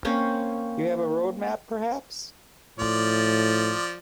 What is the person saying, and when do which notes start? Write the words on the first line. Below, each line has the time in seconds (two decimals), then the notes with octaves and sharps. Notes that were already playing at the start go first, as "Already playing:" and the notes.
You have a road map, perhaps?
0.05 A#3 C4 C#4
2.79 A2 F3 D5